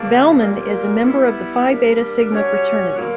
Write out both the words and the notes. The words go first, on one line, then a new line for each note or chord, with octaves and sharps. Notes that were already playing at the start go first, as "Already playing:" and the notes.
Valmon is a member of the Phi Beta Sigma fraternity.
Already playing: E2 D3 A#3 D4 F#4
A#2 G3 A#3
G3 B3 E4
G3 A#3 D4
G3 C#4 F#4 C#5
D3 F#3 A#3